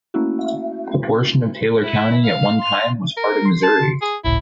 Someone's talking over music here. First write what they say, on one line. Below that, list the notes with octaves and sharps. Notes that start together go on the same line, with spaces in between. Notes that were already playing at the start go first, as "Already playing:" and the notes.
A portion of Taylor County at one time was part of Missouri.
A3 A#3 C#4 E4 F#4
E4
F5
C6 F7
A#4
C6 C7
A5
G#4
G1 C#2 A2 E4